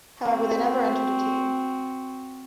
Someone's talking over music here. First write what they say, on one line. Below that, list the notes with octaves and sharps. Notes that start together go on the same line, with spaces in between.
However, they never entered a team.
C4 F#4